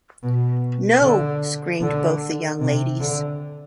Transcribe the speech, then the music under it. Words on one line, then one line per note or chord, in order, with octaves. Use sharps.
No,’ screamed both the young ladies.
B2
D3
D3
C3
D3